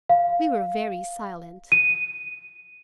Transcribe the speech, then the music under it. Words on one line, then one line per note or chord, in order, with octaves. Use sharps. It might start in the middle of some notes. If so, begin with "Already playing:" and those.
We were very silent.
F5
D#7